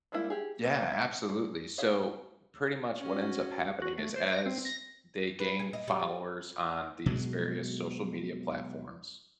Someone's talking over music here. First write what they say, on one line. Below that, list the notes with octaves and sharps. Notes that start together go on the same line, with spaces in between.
Yeah, absolutely. So pretty much what ends up happening is as they gain followers on these various social media platforms,
G3 G#3 A#3 E4 F4
G4 G#4
A#3 C4
E5
G#4
G#4 C#5 E5 F5
C#4 F#4
F#4
A3
C5
A#6
C4
A#6
B4
G#4
D#5
G3
B2 F#3 G#3